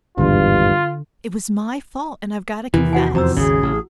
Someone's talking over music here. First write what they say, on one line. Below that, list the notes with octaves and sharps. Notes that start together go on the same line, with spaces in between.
It was my fault and I've got to confess.
G#1 E2 G2 D3 F4
E2 C3 D#3 E3 E4
F#4 F#5 G#5
F2 F#4 C5 A#5 E6
G#1 D#2 C#3 G#4
A1